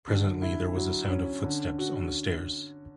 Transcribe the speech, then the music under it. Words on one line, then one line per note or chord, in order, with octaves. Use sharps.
Presently there was a sound of footsteps on the stairs.
D3
E4
F#3
C#4
D3
F#4